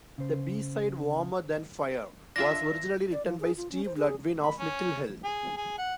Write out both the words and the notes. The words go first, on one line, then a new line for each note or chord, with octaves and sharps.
The B-side "Warmer Than Fire" was originally written by Steve Ludwin of Little Hell.
C#3 C5
D4 F4 E5 A#6
D5
F3
G#4
F4
C#4
C5
G#4
B5
C#4
G#4
G#4
F#5